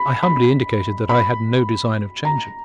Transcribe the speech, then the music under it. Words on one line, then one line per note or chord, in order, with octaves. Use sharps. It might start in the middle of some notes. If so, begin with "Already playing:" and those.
I humbly indicated that I had no design of changing.
Already playing: B5
B5
B5
A#5